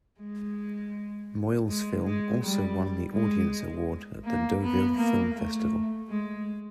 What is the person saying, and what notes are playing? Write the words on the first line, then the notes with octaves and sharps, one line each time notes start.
Moyle's film also won the Audience Award at the Deauville Film Festival.
G#3
G#3
G#3
G3
G#3
A#3
B3
A#3
A3
G#3